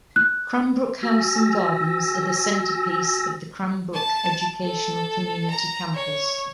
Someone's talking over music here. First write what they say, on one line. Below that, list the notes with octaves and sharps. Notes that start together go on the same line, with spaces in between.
Cranbrook House and Gardens are the centerpiece of the Cranbrook Educational Community campus.
F#6
F#4 G#5 E6 A#6
A5
A4
A#5
C#5